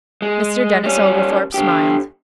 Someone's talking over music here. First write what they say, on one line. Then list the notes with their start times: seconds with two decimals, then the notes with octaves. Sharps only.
Mr. Denis Oglethorpe smiled.
0.22 G#3
0.84 G3 C#4
1.54 D3 G4